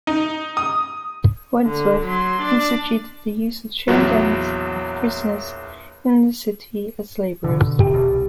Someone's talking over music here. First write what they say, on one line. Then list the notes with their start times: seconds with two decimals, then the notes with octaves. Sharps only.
Wentworth instituted the use of chain gangs of prisoners in the city as laborers.
0.07 D#4
0.57 D#6
1.65 D3
2.04 F#3 C6
2.41 D4 D5
3.88 A#1 E2 F#3
7.44 B2 D3
7.80 G4
7.94 E1 B2
8.11 C2